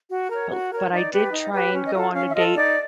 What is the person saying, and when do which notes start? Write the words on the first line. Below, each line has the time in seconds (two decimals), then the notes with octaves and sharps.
But l but I did try and go on a date,
0.10 F#4
0.30 A#4 C#5
0.50 F#4
0.71 A#4 C#5
0.92 D#4 D5
1.12 G4 B4
1.32 D#4
1.52 G4 B4
1.73 C#4
1.85 D#5
1.94 F4 A4 E5
2.14 C#4 F5
2.30 E5
2.34 F4 A4 D#5
2.55 D#4 D5